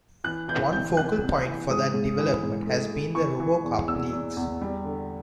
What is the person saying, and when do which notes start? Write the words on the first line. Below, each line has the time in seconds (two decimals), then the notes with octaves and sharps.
One focal point for that development has been the Robocup Leagues.
0.24 E3 F#6
0.48 E3 G6
0.73 C3 G6
0.97 C3 F#6
1.21 C3
1.45 E3
1.70 G#2 D#6
1.93 G#2
2.19 E3
2.43 G#2
2.66 A3
2.91 A3
3.15 E3 C#6
3.40 E3
3.63 E2
3.88 E2 E6
4.13 E2
4.37 E2
4.62 G3
4.85 D3